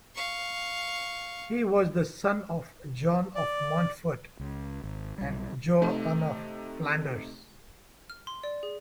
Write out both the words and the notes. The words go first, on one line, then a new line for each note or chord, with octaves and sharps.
He was the son of John of Montfort and Joanna of Flanders.
F5 C#6
D5
C#2
G#1
B1 G3
C3 A3 D#4
F6
C6
D5
G#4